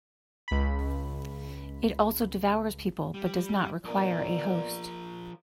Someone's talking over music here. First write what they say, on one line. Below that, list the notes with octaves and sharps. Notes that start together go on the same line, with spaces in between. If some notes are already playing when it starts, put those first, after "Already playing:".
It also devours people, but does not require a host.
C#2 B5
G3
F3 A#3 B3 A#4 D5